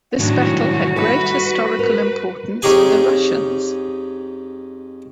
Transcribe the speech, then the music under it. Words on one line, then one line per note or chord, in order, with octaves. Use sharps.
This battle had great historical importance for the Russians.
D2 A2 D#3 F#3 G3 D4 F#4
D#4 E4 A4 B4
A#4
F2 C#4 D#4 G4 G#4 G#5